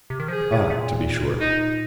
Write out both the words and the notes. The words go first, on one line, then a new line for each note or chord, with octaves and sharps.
Ah, to be sure!
C3
D#3
F3 G#4
A#2
C3
A#2
C3
A#2 D#4